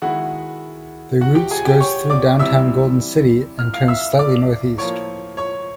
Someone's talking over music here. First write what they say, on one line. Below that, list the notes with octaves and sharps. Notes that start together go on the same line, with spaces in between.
The routes goes through downtown Golden City, and turn slightly northeast.
D#3 G#3 B3 E4 F#4 F#5
F#4 F#5
G4 G5
G#4 G#5
G4 G5
C#5 C#6
D5 D6
C3 E3 G3 C4 E5 E6
F6
F5 F6
E5 E6
D5 D6
A2 F3 A#3 C#5 C#6
C#5 C#6